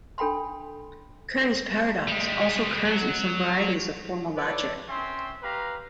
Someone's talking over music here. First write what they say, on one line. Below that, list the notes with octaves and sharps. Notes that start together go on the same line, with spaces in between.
Curry's paradox also occurs in some varieties of formal logic.
D4 A4 G5 B5 C6
G3 G#3
F#3
A4 B4 C#5 D5
C4 C#4 E5 G5 C6
G4 B4 F5 A#5